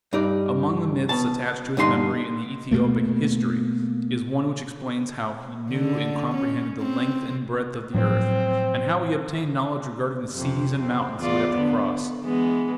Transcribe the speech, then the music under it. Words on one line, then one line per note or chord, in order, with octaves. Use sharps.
Among the myths attached to his memory in the Ethiopic "history" is one which explains how "he knew and comprehended the length and breadth of the earth", and how he obtained knowledge regarding the seas and mountains he would have to cross.
G2 D#4 D5
B2 A5
G2 D3 D#4 G4 C6
B2 A3 A#3
D3
C#4
C4
A2 F3 F#3 C4
F2 C3
C4
E2 F4 D5
D3 B3
E3 G#3 B3